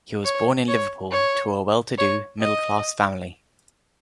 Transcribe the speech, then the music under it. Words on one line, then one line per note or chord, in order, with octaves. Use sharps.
He was born in Liverpool to a well-to-do middle-class family.
C#5
C#5
C#5
C#5
D#5